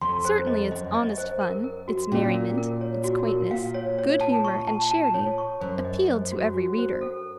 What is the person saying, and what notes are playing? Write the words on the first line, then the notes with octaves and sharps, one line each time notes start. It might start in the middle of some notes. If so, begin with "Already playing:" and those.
Certainly its honest fun, its merriment, its quaintness, good humor and charity appealed to every reader.
F2 C6
C5
D#5
F#2 D#5
D#5
C5
A#4
A#4
F#4
A#2 C#4
A#4
A#4
C#5
F#4
A#4
A#2 F5
C#5
C#5
A5
C#6
A5
A5
C#5
C#6
F#2 C5
D#5
C5
F#2 F#4
F#4
C5
A4